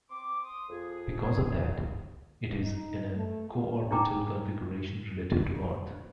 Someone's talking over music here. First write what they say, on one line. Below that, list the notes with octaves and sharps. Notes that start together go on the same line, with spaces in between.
Because of that, it is in a co-orbital configuration relative to Earth.
C4 C6 D6
C6 D#6
F2 G#4
D#4
A3
F4
D#4 G#4 G5 G#5 A#5 D6